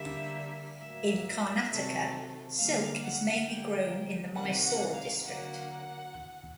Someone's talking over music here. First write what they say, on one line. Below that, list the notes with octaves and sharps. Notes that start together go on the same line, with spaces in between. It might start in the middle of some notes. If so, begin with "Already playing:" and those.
In Karnataka, silk is mainly grown in the Mysore district.
Already playing: D3 G3 A#3 E5
A2 F#3 A#3 E5
C3 D#3 F#3 A3
D3 G3 A#3 F5
F#5
D3 G3 A#3 G5
C3 D#3 G3 A#3 F#5
F#5
F5
D3 F#3 A#3 F#5